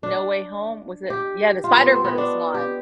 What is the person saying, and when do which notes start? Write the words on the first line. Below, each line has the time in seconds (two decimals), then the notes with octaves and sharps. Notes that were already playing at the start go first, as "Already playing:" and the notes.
No Way Home, was it yeah, the Spider-Verse one.
0.03 D4
1.10 G4
1.64 F4
1.77 B3
1.92 C4
2.04 B3
2.18 D4
2.54 G4